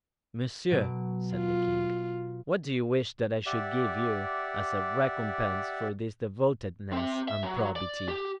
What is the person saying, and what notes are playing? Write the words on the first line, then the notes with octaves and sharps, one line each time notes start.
"Monsieur," said the king, "what do you wish that I should give you, as a recompense for this devotedness and probity?"
B2 F#3 D7
F4
G4 D5 E5 F#5
C4 E5
E5
F#3
D5
G4